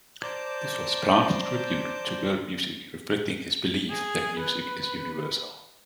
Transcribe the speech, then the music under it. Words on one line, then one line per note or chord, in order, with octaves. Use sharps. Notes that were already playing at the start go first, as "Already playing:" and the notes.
This was Plant's tribute to world music, reflecting his belief that music is universal.
C5 D5 A5 A#5 D6 G6
G#4
B4